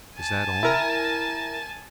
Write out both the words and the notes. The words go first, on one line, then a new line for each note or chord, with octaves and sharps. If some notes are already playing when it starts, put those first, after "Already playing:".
"Is that all?"
G#5 A5
E4 A#4 A#6